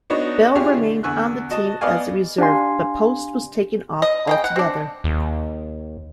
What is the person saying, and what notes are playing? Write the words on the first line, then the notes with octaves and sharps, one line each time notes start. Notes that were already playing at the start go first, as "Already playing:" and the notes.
Bell remained on the team as a reserve, but Post was taken off altogether.
B3 D4 D#4 F#4 C#5
D4 E4 F4 G4 G#4 C#5
D3
E2 D3 G#5 C#6 E6 F#6
F#4 D#5 A5
B3 D5 D#5 F5 G#5
D4 G4 F5 G#5 C6
D#5
C#3 D#5 G5
F#5
C4 D4
D#2